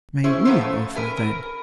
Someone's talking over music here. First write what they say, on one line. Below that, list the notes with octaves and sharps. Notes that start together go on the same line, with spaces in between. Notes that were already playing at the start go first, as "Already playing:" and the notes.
"May we offer, then?"
C#4 E4 G#4 C5
F3 F#3 B3 B4 C5
A3
A#4 B4 G#5
A#4